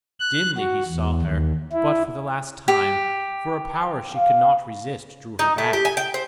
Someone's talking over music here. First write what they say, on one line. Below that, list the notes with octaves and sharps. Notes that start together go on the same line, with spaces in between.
Dimly he saw her, but for the last time, for a power she could not resist drew her back.
F#6
F#4
E2
D#2
E4
G4
F5
D#4
A3
G4
G#5
G5
C5